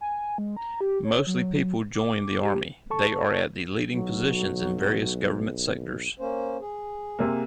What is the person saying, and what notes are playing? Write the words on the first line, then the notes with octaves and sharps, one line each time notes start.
Mostly people joined the army.they are at the leading positions in various Government Sectors.
G#5
G#3
A#5
G4
C#5
F#3
D6
G4
A4 A5 C#6
B1 F#3
A#3 C#4 C5
G#4
C3 A#3